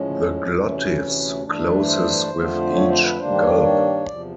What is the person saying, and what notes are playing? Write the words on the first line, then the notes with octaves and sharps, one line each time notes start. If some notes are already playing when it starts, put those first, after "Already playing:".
The glottis closes with each "gulp".
Already playing: A2 F3 G#3 C#4
D2 C3 E3 A3 C#4
G2 E3 A3 D4
C5
F2 D3 F3 A3
C#5
C5
B4
G2 D#3 G3 A#3 D4 C5
C#5
C#5
E2 C3 F3 D5